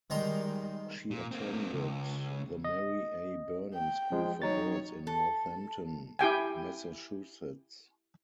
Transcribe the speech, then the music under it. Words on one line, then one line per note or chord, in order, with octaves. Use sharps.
She attended the Mary A. Burnham School for Girls in Northampton, Massachusetts.
D#3 G3 G#3 A#5 C6
A#2
A#3 C4
C#2
D#5
G5
F3 G#3
F#3 D#4 C#5 A6
A4
E4 G4 G5 G#5